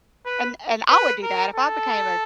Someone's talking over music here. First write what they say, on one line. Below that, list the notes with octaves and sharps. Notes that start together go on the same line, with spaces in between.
And and I would do that if I became a
B4
B4
A#4
A4